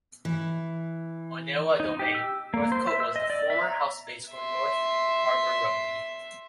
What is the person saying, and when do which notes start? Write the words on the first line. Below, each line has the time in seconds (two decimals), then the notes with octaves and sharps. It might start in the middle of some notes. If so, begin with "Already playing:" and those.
Onewa Domain, Northcote was the former home base for North Harbour rugby.
0.25 E3
1.80 D#4
1.99 G4
2.15 E6
2.54 A#3
2.72 C5
2.87 E5
3.00 E6
3.16 D#5
3.30 D5
3.50 E5
3.62 A#5
4.31 E5 C6